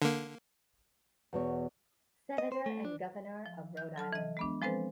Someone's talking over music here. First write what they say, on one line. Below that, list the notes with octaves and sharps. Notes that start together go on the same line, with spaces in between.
Senator and Governor of Rhode Island.
D3 A#3
E2 B2 C#5
D#5
C5
A3
D4
F3
G6
F#3 A4 A5 F6
E3 D#5
G#3 B3 D4
F3 G#3 C4 A4 B4 C5